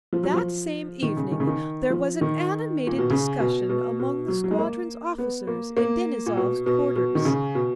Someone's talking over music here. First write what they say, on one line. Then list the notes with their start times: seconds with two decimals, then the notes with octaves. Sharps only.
That same evening there was an animated discussion among the squadron's officers in Denisov's quarters.
0.13 F3
0.23 F#3
0.34 F3
1.02 D#3
1.17 C#3
1.31 D#3
1.40 C#3
1.47 D#3
1.90 F3
2.21 D#3
2.87 A#2
2.98 B2
3.10 C#3
3.40 B2
3.69 B2
3.99 B2
4.28 F#3
4.44 F#3
4.51 G#3
4.59 A#3
5.18 B3
5.47 A#3
5.77 A#3
6.26 A#2
6.37 B2
6.66 B2
6.96 B2
7.15 D#3
7.25 C#3
7.55 B2